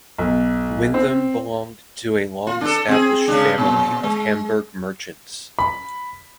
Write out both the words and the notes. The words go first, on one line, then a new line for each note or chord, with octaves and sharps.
Winthem belonged to a long-established family of Hamburg merchants.
B1
C4
F4
D4 A4
C4 G#4
C#3 G#3 D4
A#2
G#3
B5